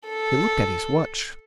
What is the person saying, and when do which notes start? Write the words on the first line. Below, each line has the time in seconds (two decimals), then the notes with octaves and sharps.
He looked at his watch.
0.08 A4